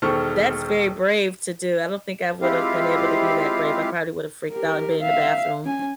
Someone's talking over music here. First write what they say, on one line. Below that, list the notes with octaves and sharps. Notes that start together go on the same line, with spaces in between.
that's very brave to do, I don't think I would have been able to be that brave, I probably would have freaked out and been in the bathroom,
E1 D#3 A4 C5 C#6 F6
G#3 C4 E4 F4 G4 F5
G4 A#4
E5 F5
C#4 G#5